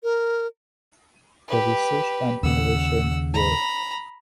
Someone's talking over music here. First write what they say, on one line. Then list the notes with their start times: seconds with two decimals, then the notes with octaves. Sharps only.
The research and innovation world.
0.03 A#4
1.48 G4 B4
2.43 D#2 C#3 F#5 E6
3.34 A#5 B5